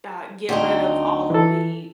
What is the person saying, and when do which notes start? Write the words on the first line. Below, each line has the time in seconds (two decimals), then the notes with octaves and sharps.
uh, get rid of all of the
0.49 D2 C4 D#4
1.30 E3 A4